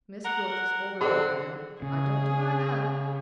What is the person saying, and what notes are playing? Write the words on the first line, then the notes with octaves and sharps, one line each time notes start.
Miss Gwilt is older than I am--I don't deny that.
A#4 F#5
C4 G#4 A4 D5 F#5
C#3 G#4